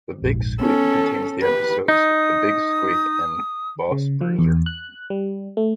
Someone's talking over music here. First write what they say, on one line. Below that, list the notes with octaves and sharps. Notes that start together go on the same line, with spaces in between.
"The Big Squeak" contains the episodes "The Big Squeak" and "Boss Bruiser".
F1 A#1 G#2
B3 C#4 A4
G4 B4
D#4 D#6
C#3
F3
E2
F#6
G3
A3